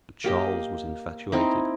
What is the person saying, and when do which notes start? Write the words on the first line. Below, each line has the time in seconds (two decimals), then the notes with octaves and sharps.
But Charles was infatuated.
0.24 A#3 G4 D#5
1.32 C4 D#4 E4